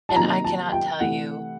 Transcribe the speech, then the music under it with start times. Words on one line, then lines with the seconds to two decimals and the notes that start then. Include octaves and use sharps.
and I cannot tell you
0.09 A5
0.16 C3 D#3 F#3 A#3 A#5
0.44 A5
0.72 G5
1.00 C3 E3 A3 F#5